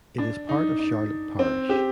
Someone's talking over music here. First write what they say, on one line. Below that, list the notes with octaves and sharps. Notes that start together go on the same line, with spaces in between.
It is part of Charlotte Parish.
D4
D#4
D#4
C4
G4